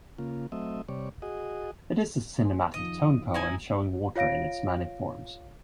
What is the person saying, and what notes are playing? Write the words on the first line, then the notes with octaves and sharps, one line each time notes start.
It is a cinematic tone poem showing water in its many forms.
C#3 A#3 F4
F#3 A3 C4 D#5 E5
C3 G3 C#5 D5
F#4 G#4 D#5
G#5 C6
F2 D#3 F3 D#5
D#4 E4 G#5
F4 C#5 F5 A#6 D7